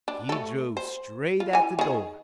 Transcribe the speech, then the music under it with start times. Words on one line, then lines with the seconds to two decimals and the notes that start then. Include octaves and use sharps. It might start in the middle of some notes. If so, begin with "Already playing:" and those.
He drove straight at the door.
0.08 D4
0.29 A3 A4
0.77 C5
1.40 F4
1.53 E3 G#5
1.79 D#3 G#4